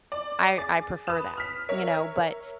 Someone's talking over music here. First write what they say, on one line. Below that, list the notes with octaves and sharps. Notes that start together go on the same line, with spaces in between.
I I prefer that. You know? But,
D5
G#4 D6 A6
B4 D#6 E7
F6 B6
A#4 C#5 E5